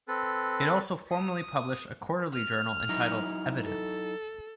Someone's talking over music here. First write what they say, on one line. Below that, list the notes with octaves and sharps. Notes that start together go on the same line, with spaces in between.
It also formerly published a quarterly journal entitled "Evidence".
C4 A4 B4
D#6
F6
F#3 D#4 E4
A4